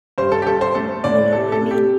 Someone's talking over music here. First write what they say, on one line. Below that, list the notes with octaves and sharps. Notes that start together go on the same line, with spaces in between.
Mm-mm, you know what I mean?
G2 C5
A4
G4
G2 A4
C5
A3 A4
A2 D5
C3 A4
A4
C3
G4